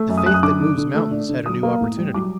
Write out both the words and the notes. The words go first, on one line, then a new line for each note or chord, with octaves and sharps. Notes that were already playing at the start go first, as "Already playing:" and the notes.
The faith that "moves mountains" had a new opportunity.
Already playing: A3
F#2
D#6
F#2 F#6
D#6
D3 D6
D3
D3
A3
D4
D3
F#3 D#6
A#3
A2
G3
F#3 D6